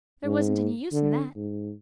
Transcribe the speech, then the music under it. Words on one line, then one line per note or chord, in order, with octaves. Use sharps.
There wasn't any use in that.
G#2
D3
G#2